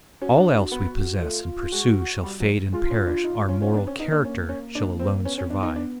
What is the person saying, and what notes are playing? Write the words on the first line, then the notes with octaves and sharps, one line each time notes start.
All else we possess and pursue shall fade and perish, our moral character shall alone survive.
C#4 F#4
D4
D4
B3
A3 F4
G#3 F#4
G3
F#3
G#3 F4
C#4
D4
D#4
C#4
C#4
B3 D4
C4 C#4
B3 D#4
A#3 D4
C#4
C#4
D4
C4
B3 C#4
C4 C#4
B3 D4
D#4
D4